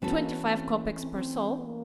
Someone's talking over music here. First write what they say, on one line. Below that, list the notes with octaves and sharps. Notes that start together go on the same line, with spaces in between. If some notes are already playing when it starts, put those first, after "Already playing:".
"Twenty-five kopecks per soul."
E3 A3 B3 C#4 F#4 A4
A#3
B3
B3
C4
A#3
C4
C4
B3
A#3